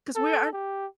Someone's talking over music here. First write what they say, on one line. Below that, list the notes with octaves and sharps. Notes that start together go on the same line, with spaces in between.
'Cause we aren't
A4
G4